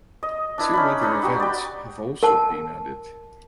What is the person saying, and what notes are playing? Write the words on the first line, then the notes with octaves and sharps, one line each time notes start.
Two other events have also been added.
D#5
D4 E4 B4
C#4 D#4 B5
D4 D#4 B4
D#4 F#4 G4
D5 G5
A#4 A5